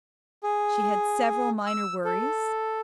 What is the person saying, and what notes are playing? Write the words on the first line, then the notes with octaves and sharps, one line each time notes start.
She had several minor worries.
G#4
E6
A4